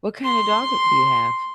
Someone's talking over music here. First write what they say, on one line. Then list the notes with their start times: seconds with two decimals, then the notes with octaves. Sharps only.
What kind of dog do you have?
0.24 C6